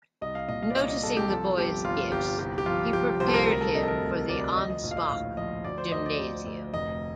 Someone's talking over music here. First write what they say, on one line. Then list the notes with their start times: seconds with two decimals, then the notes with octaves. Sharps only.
Noticing the boy's gifts, he prepared him for the Ansbach Gymnasium.
0.21 C2 D#5
0.35 F5
0.48 A#2 D#5
0.63 F5
0.70 D5
0.75 C2 D#5
0.89 D#5
1.03 C2 A4
1.17 G4
1.30 F3 A4
1.58 G1 G4
1.84 G1 F4
2.12 G1 G4
2.39 C2 G4
2.58 G4
2.66 F3 F4
2.93 F3 G4
3.20 C2 C5
3.28 A4
3.34 A#4
3.47 D2 A#4
3.61 A4
3.75 C3 D#5
3.83 A4
3.88 A#4
4.02 D2
4.29 D2 D5
4.56 F3 D#5
4.70 D#5
4.83 A#1
4.91 F5
4.96 D#5
5.10 A2 F5
5.37 F3 D#5
5.64 D2 D5
5.78 C5
5.92 D2 D#5
6.06 D5
6.19 D2
6.46 D2
6.73 F1 D#5